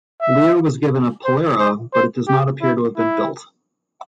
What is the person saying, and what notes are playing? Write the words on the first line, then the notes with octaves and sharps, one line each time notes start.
Lear was given a Polara but it does not appear to have been built.
E5
C5
C5
C5
G4
E4
E4